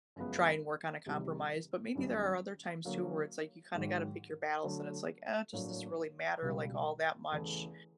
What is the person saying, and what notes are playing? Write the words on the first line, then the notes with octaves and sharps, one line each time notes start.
try and work on a compromise, but maybe there are other times too, where it's like you kinda gotta pick your battles, and it's like, "Uh, does this really matter, like, all that much?"
F#2 C#3 F3 G#3 B3
E2 C3 D#3 G3
F#2 D#3 G3 B3
D3 F#3 A#3
G#2 D#3 F#3
D3 F#3 A3
A2 F#3 A#3 D4
C#2 B2 G3
E2 C#3 E3 A3